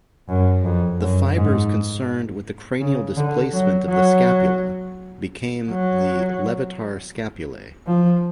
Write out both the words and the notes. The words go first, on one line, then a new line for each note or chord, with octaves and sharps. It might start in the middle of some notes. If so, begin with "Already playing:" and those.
The fibers concerned with the cranial displacement of the scapula became the levator scapulae.
F#2
F2
F#2
G#2
C#3
D3
F#3
F#3
F#3
F3